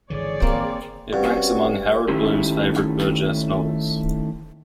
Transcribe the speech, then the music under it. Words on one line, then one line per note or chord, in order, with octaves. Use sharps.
It ranks among Harold Bloom's favourite Burgess novels.
G#1 D3 E3 G#4 C#5 D5
A#3 C4
G2 C4 C#4 F#4
D#3 F#3 A3 C#4 E4 G4